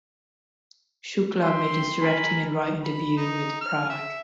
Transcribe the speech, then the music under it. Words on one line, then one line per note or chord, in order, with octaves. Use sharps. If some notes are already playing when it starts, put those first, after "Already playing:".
Shukla made his directing and writing debut with "Prague".
E5 G5 C6
A#4 G#5 B5
B5
D#4
F6
E5